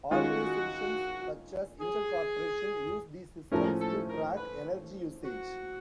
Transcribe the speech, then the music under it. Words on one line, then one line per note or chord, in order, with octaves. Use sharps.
Organisations such as Intel corporation use these systems to track energy usage.
D#3 G#3 C#4 F4 F#4
G#4
A2 F3 A3 C#4 A#4
A4
A#4
B4
F#4